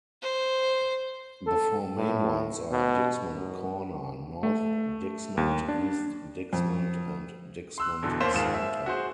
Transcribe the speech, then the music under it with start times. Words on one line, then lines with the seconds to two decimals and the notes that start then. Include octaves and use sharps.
The four main ones are Dixmont Corner, North Dixmont, East Dixmont, and Dixmont Center.
0.22 C5
1.47 A4
1.98 A2
2.71 B2
3.34 F#2
4.43 A3
5.37 D#2
5.68 D4
6.53 F2
7.78 C6 E6 F#6
8.03 E2 B2 D3 E3
8.20 D#2 A#3 C5 C#5 B6 E7
8.33 D#2 G#2 D#3 F4 G#4 E7
8.54 E5
8.86 F#4 G#4 C5